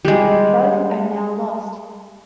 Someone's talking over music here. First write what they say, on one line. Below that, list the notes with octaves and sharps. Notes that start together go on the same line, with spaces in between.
Both are now lost.
G3 G#3